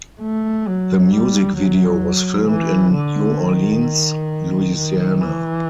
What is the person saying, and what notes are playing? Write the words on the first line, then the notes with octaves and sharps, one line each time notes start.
The music video was filmed in New Orleans, Louisiana.
A3
F#3
G3
F#3
E3
D3
D#3
D#3
E3